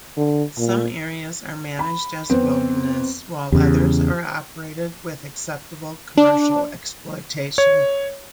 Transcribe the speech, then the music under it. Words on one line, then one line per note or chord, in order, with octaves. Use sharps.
Some areas are managed as wilderness, while others are operated with acceptable commercial exploitation.
D3
A#2
B5
F2 B3 C4
E2 C#3 G4
D4
C#5